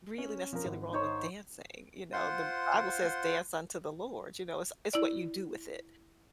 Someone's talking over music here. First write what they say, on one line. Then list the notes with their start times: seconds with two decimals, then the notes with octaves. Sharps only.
really necessarily wrong with dancing, you know? The Bible says dance unto the Lord, you know? It's it's what you do with it,
0.18 C#4
0.53 F3 C#4 A#4
0.65 G#1
0.92 D#4 C5 C#5
2.13 F4 C5 F#5 C6
4.93 E4 D5